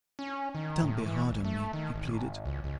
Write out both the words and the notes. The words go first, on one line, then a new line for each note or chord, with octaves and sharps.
"Don't be hard on me," he pleaded.
C#4
D#3
A2
E3
G#1
A3
D#3
G#1
C#2
C#2